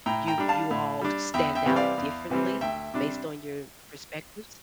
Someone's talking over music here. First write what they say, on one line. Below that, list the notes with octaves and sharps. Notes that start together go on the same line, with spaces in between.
you you all stand out differently based on your perspectives?
A2 G5 A#5
G5 A#5
G3 D4
F5 A5
A2
G3 D4
E2 E5 G5
E5 G5
C3 E3 G3 C4
D5 F5
E2
C3 E3 G3 C4
D2 E5 G5
C3 G3 D4